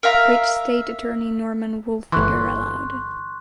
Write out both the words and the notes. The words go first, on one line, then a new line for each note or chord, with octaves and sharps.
Which State Attorney Norman Wolfinger allowed.
A#4 E5 F5 A#5
G1 E3 C6 C#6 F#6